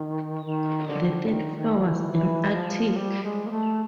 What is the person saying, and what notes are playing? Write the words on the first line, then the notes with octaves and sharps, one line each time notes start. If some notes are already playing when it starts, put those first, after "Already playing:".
The third floor was an attic.
Already playing: D#3
D#3
D3
D#3
D#3
F3
E3
E3
F3
G3
G#3
A#3
A3